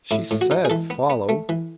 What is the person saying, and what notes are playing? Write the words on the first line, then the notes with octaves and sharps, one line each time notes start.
"She said--follow."
A2 E4
A2
F#4
D#4
G#4
E3 A4
B3
B3
A3
E3